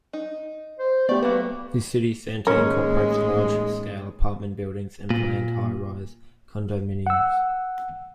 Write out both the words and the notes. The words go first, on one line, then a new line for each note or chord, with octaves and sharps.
This city center incorporates large-scale apartment buildings and planned high rise condominiums.
D#4
C5
A3 B3 G4 D5
F#3 A3 A#3 B4
A1 D#2 G#3 C#4 A#4
A#2
F#5 E6